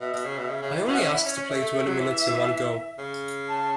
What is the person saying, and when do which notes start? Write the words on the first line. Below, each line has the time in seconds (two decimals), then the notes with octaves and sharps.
I only ask to play twenty minutes in one go.
0.01 B2 E5
0.13 B2
0.25 C#3
0.38 B2
0.49 C#3
0.62 C#3
0.75 E3
0.87 B2
0.93 F#5
0.99 C#4 E5
1.12 E4
1.24 C#4 C#5
1.36 C#4
1.49 A3 E5
1.61 A3
1.74 A3
1.87 F#3
1.99 E3
2.98 C#3
3.48 A5